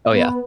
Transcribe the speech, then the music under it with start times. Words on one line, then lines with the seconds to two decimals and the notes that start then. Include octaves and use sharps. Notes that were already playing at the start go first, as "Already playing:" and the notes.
Oh, yeah.
0.10 B3